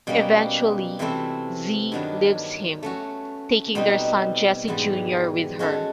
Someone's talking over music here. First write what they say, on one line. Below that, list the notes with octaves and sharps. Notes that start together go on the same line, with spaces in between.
Eventually Zee leaves him, taking their son Jesse Junior with her.
B2 G3 A#3 C#4
C3 E3 A3 C4 E4
G2 D#3 F#3 B3 D4
A3 C#4 F#4
B2 G3 C4 D#4
G#2 E3 G3 B3
G#3 C#4 F#4 A4